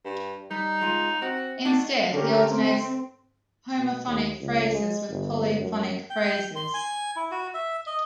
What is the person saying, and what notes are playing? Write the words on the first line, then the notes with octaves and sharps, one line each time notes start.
Instead he alternates homophonic phrases with polyphonic phrases.
G2
G3 D#4
G#3 F4
C4 F#4
D4 D#4 F#4
D3 C#4 G4 A#4
C4
B2
D#2
C#2
G#3
G1
F#2
G5
C6
G#5
E4
F#4
E5
D#5